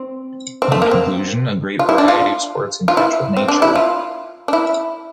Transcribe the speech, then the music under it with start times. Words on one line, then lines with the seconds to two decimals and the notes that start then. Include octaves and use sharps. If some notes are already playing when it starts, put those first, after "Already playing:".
In conclusion, a great variety of sports in touch with nature.
Already playing: C4
0.62 C4
0.72 A3
0.82 A#3
0.91 C4
1.79 F4
1.89 E4
1.98 D4
2.08 F4
2.88 F4
2.97 E4
3.37 C4
3.48 D4
3.62 E4
3.75 F4
4.48 D4
4.53 E4